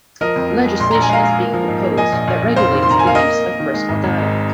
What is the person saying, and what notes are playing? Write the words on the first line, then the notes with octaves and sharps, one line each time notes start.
Legislation is being proposed that regulates the use of personal data.
F3 A#4 D#5
F2
F3
G#3
A#1 C6
A#1 A#5
G#5
G#3 F5 A#5
G#3
A#3
F3
G#2
A#3
F3 D#5 G#5
A#1
A#1
A#1
F1 C5 F5
D#3
C6
D#3 A#5
A#3 G#5
F5
A#3 A#4 D#5
A#3
A#3
D#3
G#3
G#1
G#1
G#2